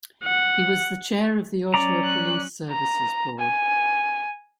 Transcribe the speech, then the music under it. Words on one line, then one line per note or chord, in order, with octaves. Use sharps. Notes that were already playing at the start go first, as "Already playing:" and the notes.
He was the chair of the Ottawa Police Services Board.
F#5
F#3 C#4 D5 A#5
F#6
A#5
G#5